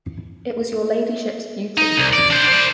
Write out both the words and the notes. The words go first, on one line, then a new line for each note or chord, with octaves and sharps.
It was your Ladyship's beauty.
D#4
C2
D5
D4 C5
C5 D5